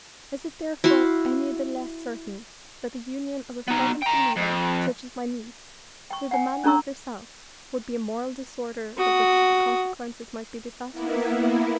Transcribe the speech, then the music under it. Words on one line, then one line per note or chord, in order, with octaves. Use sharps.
Is it therefore any the less certain that the union of a fervent believer, such as my niece, with a man like yourself would be a moral disorder of which the consequences might be disastrous?
E4 F#4 F5 C6
B3 D#4
G5 A#5
F2
G5 C#6
F#5 G#5
C#4 D4 A4 A#5 C#6 E6
F#4 D#6
A#3 B3 E4